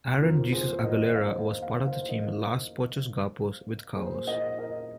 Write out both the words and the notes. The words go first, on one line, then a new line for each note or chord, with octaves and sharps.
Aaron 'Jesus' Aguilera was part of the team Los Pochos Guapos with Kaos.
F2 D#3 A#3 F4 A#4
G#4 C5
A#4 D#5
D#5
C5 F5
F5
C5 F5
A#4 D#5
A#2 A#3 G#4 C5
A#4 D#5
A#4 D#5